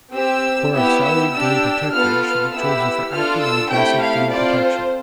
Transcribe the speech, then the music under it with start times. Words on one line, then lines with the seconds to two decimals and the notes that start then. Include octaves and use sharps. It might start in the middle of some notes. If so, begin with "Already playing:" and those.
A corps of salaried game protectors should be chosen for active and aggressive game protection.
0.13 C4 G4 E6
0.72 B3 E4 G4 E6
1.03 E6
1.33 D4 G4 E6
1.92 B3 F4 A4 F6
2.22 F6
2.52 B3 E4 G4 E6
3.11 D4 F4 A4 F6
3.41 E6
3.71 A3 C4 E4 G4 G5
4.01 F5
4.30 C4 F4 A4 D5
4.60 C5